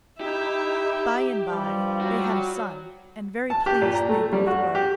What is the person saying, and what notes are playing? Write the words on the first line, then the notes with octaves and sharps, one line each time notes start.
By and bye they had a son, and very pleased they both were.
D#4 E4 G4 E5
G2 F3 G3
F#4 C#5
A5
G4
A#2
A#5
A3
G3
F#4
G4